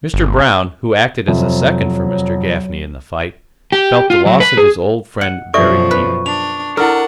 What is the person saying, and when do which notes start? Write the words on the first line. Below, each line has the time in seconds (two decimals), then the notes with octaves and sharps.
Mr. Brown, who acted as a second for Mr. Gafney in the fight, felt the loss of his old friend very deeply.
0.14 G1
1.28 F2 C3 F#3
3.72 G4
4.10 F4
4.26 F#3
4.40 B4
4.57 G#4
5.21 F#5
5.54 F#2 B2 F3 A4 D5 E5 C#6
5.91 B4
6.26 D4 F7
6.77 D4 E4 A4 A#4 F#5